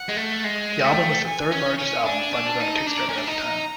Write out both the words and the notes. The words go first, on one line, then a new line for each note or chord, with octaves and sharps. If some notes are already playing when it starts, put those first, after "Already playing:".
The album was the third-largest album funded on Kickstarter at the time.
Already playing: F#5
G#3
A3
G#3
A3 G5
G#5
C#4
C#4
D4 G#5
D4
A5
D#4
D4 A#5
C#4
D4
D#4 A#5